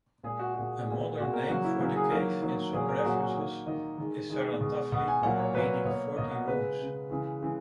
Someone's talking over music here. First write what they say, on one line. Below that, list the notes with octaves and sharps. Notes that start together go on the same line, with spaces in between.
A modern name for the cave in some references is "Sarantavli", meaning "forty rooms".
A#2 G#3 G#4
F#4
A#2 G#3 F#4
A#2 G#3
A#2 G#3 F#4
A#4
C#3 F#3 A#3 F#4
E4
C#3 F#3 A#3 F#4
G#4
D#3 F#3 A#3 A#4
D#3 F#3 A#3
A#2 F#3 A#3 G#4
A#4
G#4
A#2 F#3 A#3 F#4
F#4
D#3 A#3
D#3 A#3 D#5
D#3 G#3
D#3 G#3
B2 G#3
B2 G#3 F#5
G#5
A#2 F#3 A#3 F#5
C#5
A#2 F#3 A#3 B4
B2 A#3 C#5
B2 A#3 D#5
F#5
C#3 G#3 B4
C#3 G#3
C#3 E3 G#3
C#3 E3 G#3